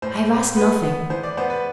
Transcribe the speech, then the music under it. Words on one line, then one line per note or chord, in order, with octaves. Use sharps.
I have asked nothing.
A2 C5
A2
B3 B4
B3
E3 C5
D5
B3 C5
B4